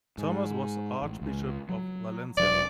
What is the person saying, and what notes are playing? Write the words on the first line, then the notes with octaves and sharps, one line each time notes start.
Thomas was Archbishop of Valencia.
G#2
A1
C#2
F#3
E1 F#3 D4 D5